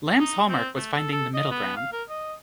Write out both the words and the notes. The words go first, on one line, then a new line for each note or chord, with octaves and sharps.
Lamb's hallmark was finding the middle ground.
D#4
C4
A3
A4
A4
D#5
B3
F5
A#4
D#5